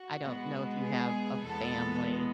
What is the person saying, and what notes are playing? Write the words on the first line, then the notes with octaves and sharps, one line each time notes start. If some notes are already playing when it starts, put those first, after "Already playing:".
I don't know if you have a family,
Already playing: F#4
B2 G#3 B3
G#4
E2 B2 G#3 B3 A4